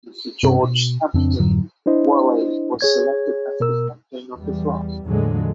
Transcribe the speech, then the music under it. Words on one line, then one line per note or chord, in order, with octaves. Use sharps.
Mr George Hampden Whalley was selected as the captain of the club.
G2 C3 C4 C#4
B2
F2 C#3 C4 D4
F2 G#2 D3 F#3
D4 E4 C5 D#5
G#4 C#5 G#6
B2 A#4 E6
E2 G3
E2 A2 D3 F3 F#3 G#3